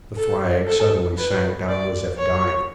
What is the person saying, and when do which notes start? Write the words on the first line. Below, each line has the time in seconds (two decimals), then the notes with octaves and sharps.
The flag suddenly sank down as if dying.
0.17 A4
0.67 A4
1.18 B4
1.68 D5
2.18 C#5